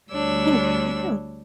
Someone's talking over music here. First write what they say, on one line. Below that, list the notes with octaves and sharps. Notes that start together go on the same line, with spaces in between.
Thanks, you too.
D2 G3 D4 C#5 E6